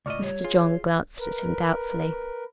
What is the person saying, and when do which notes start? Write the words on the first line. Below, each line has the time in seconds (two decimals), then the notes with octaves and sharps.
Mr. John glanced at him doubtfully.
0.06 C#2 A2 D5 D#5 C#6 F6
0.22 G3 C#5
0.44 F4 G#4
1.19 A#4 B4